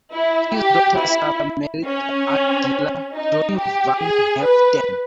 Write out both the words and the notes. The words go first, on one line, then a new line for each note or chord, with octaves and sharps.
His daughter Sarah married the art dealer Johnny Van Haeften.
E4
G4
E4
C#4
D#4
G4
G#4
B4